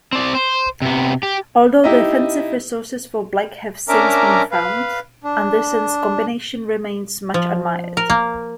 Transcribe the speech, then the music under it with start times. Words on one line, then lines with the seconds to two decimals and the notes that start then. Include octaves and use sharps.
Although defensive resources for Black have since been found, Anderssen's combination remains much admired.
0.13 C4 D5
0.35 C5
0.82 C3 B3
1.23 G4
1.84 D#4 E4 G4
3.89 C#4 D4 A#4 E5 A#5 D6
4.51 B4 F5
5.24 D4
7.34 F3
7.97 A#4
8.10 A#3